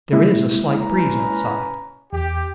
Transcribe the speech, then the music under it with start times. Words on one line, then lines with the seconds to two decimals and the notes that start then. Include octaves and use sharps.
There is a slight breeze outside.
0.13 G#3 A#3 E4
0.81 C#4 B4 A#5
2.13 E2 G4